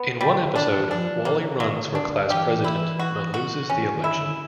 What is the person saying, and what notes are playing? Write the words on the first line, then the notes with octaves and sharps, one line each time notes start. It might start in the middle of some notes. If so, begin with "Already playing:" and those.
In one episode, Wally runs for class president but loses the election.
Already playing: B3
D3 G3
D#3
D4
F3 D4
E3
A#3
D3
D#3 F#3
D3
D4
D3
E3 G4
E4
F#4
F#4
E3 C#4
D#3
E4
D3